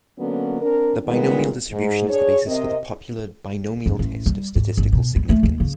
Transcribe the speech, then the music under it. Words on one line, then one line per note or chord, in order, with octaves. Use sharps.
The binomial distribution is the basis for the popular binomial test of statistical significance.
D3 F#3 A#3 B3 C#4
C4 D4 A#4
A#2 D#3 G3 G#3 B3
G#2
D4 G#4 C#5
C3 C4 A#4 D#5
F#2
A1
G3
G#2
G#1
B2
G3
A3
D#2
C#3